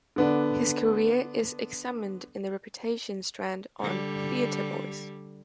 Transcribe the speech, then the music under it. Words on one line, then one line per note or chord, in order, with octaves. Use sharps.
His career is examined in the Reputations strand on "TheatreVoice".
D3 B3 D4
D3 G3